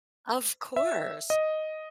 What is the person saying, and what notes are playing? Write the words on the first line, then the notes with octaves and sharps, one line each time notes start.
Of course.
E5
D#5